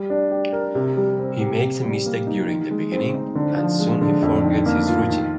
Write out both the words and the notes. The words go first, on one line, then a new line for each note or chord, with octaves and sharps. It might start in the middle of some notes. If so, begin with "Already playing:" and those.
He makes a mistake during the beginning, and soon he forgets his routine.
Already playing: G3
D4
G4
A#4
C3
G3
C4
G4
C3
G3
A#3
D#4
D#3
G#3
C4
D#4
D3
F3
G#3
D3
F2
D#3
A#3
F4
D#3